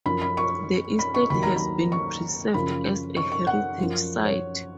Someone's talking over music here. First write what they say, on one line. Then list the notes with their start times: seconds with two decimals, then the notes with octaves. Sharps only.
The estate has been preserved as a heritage site.
0.05 F#2 F3 B5
0.22 B5
0.37 C#6
0.99 B5
1.14 C#6
1.30 D#2 D#3 F#3 B5
1.43 A#5
1.56 B5
1.92 C#6
2.54 F#2 C#3 F3 B5
3.17 C#6
3.32 C#6
3.47 F#5
3.78 F3
3.83 F#2
4.25 C#5